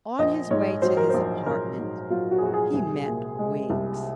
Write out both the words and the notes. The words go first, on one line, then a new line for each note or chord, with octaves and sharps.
On his way to his apartment he met Wiggs.
A#1 D#5
G#2 C#5
F#3 C5
A#4
A#1 C5
A#1 A#4
G#2
F#3 F4
F#4
G#4
A#1 F#4
G#4
C2
A#2
G#3
C2